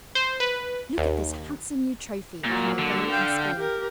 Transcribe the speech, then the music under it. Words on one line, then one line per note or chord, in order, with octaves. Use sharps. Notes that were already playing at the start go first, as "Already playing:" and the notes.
"Look at this handsome new trophy of my bow and spear."
C5
B4
D#2
A#2 F#3 A#3
D3
F5 G5
G4 A#4